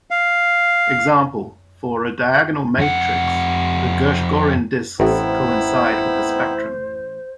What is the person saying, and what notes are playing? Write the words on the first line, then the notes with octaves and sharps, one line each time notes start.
Example For a diagonal matrix, the Gershgorin discs coincide with the spectrum.
F5
F2 F#5
A1 A2 B3 C4 D#4 E4 C5